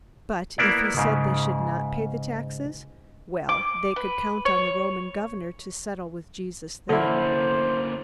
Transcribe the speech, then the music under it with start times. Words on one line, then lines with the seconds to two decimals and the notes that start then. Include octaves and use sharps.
But if he said they should not pay the taxes--well, they could count on the Roman governor to settle with Jesus then.
0.58 A#3 B3 E4 D5
0.97 G#2 C#3
3.49 D6
3.96 B4
4.45 C#5
6.89 D3 A#3 C#4 E4 C5